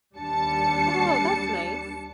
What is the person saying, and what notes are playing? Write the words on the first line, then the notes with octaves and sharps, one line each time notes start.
Oh, that's nice.
D#2 G3 D4 A5 C#7